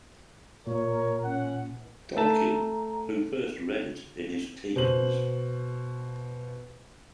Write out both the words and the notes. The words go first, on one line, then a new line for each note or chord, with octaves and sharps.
Tolkien, who first read it in his teens.
A#2 A#4 C#5
C#4 F#5
A3 A5 A#5
B2 C5 F#7